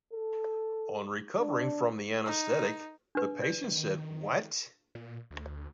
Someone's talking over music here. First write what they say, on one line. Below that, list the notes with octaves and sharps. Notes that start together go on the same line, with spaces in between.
On recovering from the anaesthetic, the patient said What?
A4
D4
D#4
D4 B4
D5
D#3
A#2
D2